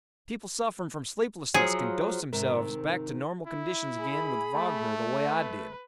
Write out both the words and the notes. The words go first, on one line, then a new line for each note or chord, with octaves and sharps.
People suffering from sleeplessness can dose themselves back to normal conditions again with Wagner the way I did.
F3 F#3 G#4
G#2 C3 D#3 A#4
E4
G#4 B5
A3
B4